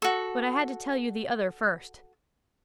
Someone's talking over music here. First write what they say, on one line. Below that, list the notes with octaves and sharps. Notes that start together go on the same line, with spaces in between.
But I had to tell you the other first.
F#4 A4